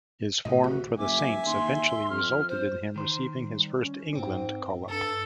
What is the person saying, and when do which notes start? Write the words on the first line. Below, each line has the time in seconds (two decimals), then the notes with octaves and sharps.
His form for the Saints eventually resulted in him receiving his first England call-up.
0.45 A2 C3 E3 D#5
0.64 D1 A3 F#4
0.98 F#1 E5 G#5 D6
1.46 D#2 C6
2.10 F2 F6
2.48 C5
2.96 D#3 C5
3.43 G3
3.81 C#4
4.15 G#2 C4
4.89 G2 A4